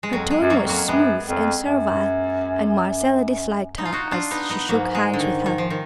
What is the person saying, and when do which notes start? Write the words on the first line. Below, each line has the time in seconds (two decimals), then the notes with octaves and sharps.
Her tone was smooth and servile, and Marcella disliked her as she shook hands with her.
0.03 G#3
0.12 F2 F#3
0.31 G#3
0.37 F#2
0.50 F#3 A#3
0.63 F2
0.69 F#3 A#3
0.88 F#2 G#3 B3
1.26 F2
1.64 F#2
3.78 D#4
3.85 F4
3.93 D#4 F#4
4.11 D4 F4
4.31 B3 D#4
4.50 B3 D#4
4.69 G#2 F#3 A#3
4.95 G#3
5.13 D3
5.20 D#3
5.46 D#3
5.58 F3
5.70 D#3